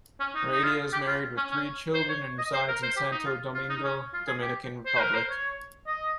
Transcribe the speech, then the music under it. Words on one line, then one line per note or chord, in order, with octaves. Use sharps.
Heredia is married with three children and resides in Santo Domingo, Dominican Republic.
C#4
D#4
D#4
F4
G4
F4
C#4
C#4
C5
C#5
D#5
C5
A#4
C5
G4
D#4
F4
F4
D#4
C#4
F4
G#4
G4
C5
A#4
C5
C#5
D#5